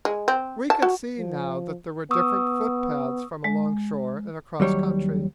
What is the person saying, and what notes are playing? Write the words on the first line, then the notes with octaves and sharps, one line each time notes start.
We could see now that there were different footpaths from along shore and across country.
G#3
C4
A5
F#4
F3
B3 C#6 D#6 E6
G#3
D#2 F#3 G3 C#5